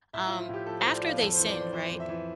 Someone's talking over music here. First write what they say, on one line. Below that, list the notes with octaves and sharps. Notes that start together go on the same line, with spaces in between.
um, after they sinned, right?
A2 E5
F4
F3
F4
A2 G4
F3 A4
A2 C5
D5
F3 F4
F2 A4
E3 C5
D5
F2
C5
E3 C5
F2
E5
E3